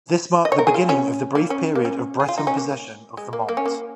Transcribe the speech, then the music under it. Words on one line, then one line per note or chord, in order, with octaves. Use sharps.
This marked the beginning of the brief period of Breton possession of the Mont.
D#5
C#5
A#4
G#4
F4
C#4
A#3
C#4
A#3
C#4
G#4
F4
D#4
C#4
A#3
G#3
A#3
A#3
C#4
A#3